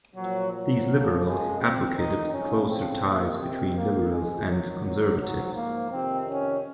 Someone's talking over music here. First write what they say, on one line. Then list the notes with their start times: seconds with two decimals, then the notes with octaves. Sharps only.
These Liberals advocated closer ties between Liberals and Conservatives.
0.16 A#2 F3 F#3
0.52 F#3
0.88 F#2 C#3 F3
1.24 G#3
1.60 F2 D#3 C4
1.96 D#4
2.31 F2 C#3 F3 C#4
2.68 C4
3.04 F2 C3 D#3 A#3
3.39 C4
3.75 G#2 D#3 A#3
4.11 G#3
4.47 G#2 D#3 F#3
4.83 F#3
5.19 G#2 F3 F#3
5.55 A#3
5.91 F2 C3 D#3 C4
6.27 C#4